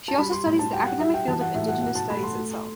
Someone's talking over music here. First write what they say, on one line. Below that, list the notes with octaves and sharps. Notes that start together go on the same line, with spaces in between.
She also studies the academic field of indigenous studies itself.
A5
G3 B5
C6
A2
A5
G3 G5
F#5
G3 E5
G5
E3 A5
F#5
A2 E5
F#5
B2 F#5
A5
A3 B5
C6
A3